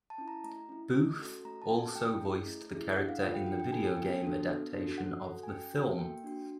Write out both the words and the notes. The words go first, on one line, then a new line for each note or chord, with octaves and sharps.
Booth also voiced the character in the video game adaptation of the film.
A5
C#4 E4
A#5
A3 A#5
C#4 E4
A3
C#4 F#4 A4
A3 A#5
A5
C#4 F#4 A4
G#5
A3 G5
C#4 E4 G#4
A3
C#4 E4 G#4
D4 F#5
F5
F4 A4 F#5
G5
D4 G5
G5
F4 A4 G#5
G#5
B3 G5
D4 F#4 A4
B3
D4 F#4 A4
C#4 F#5
F#4 A4
G#5
C#4 G5
F#4 A4
A#3 G5
D4 F#4